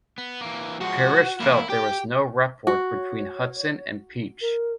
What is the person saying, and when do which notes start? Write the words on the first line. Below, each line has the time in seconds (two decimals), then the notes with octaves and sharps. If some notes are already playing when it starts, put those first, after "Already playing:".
Pirosh felt there was no rapport between Hudson and Peach.
0.18 B3
0.41 E3 A#3
0.81 F3 G#3 F#4
1.40 E2 A#3 E4
1.70 G4 G5
2.67 F#4
2.93 C#5
4.41 A#4